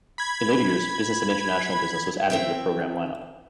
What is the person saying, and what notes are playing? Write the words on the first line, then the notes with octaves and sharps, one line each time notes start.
In later years, Business and International Business was added to the program line-up.
B5 G#6
C4 E5 G5